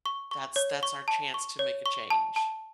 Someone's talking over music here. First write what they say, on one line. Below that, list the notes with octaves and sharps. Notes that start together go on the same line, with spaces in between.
that's that's our chance to make a change.
C#6
C#6
C#5
C#6
A5
C#6
C#5
C#6
A5
A5